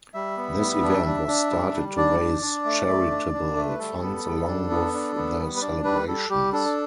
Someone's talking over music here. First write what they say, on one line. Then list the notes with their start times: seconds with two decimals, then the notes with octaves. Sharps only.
This event was started to raise charitable funds along with the celebrations.
0.14 G3 E5
0.37 B3
0.60 G3
0.83 D4
1.06 D4
1.28 D4
1.51 G3
1.74 G3
1.97 D4 D5
2.19 D4
2.42 D4
2.65 A3
2.88 A3
3.10 D4
3.34 D4
3.56 A3
3.69 B4
3.79 G3 A4
4.02 B3
4.25 G3
4.47 D4
4.70 B3
4.93 D4
5.16 B3
5.39 G3
5.57 B4
5.61 D4 D5
5.84 G3 B4
6.08 G3 A4
6.29 G3 G4
6.52 D4 A4